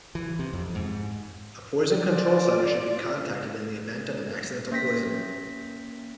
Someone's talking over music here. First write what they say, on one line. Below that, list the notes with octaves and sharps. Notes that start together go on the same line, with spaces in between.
A poison control center should be contacted in the event of an accidental poisoning.
E3
C3
F2
G#2
F4 D5
A#3 C#4 A#6 B6